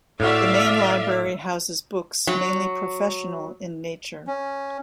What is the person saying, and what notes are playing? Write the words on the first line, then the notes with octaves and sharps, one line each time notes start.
The Main Library houses books, mainly professional in nature.
A2 F#4 D5 E5 F5
F#3
C#4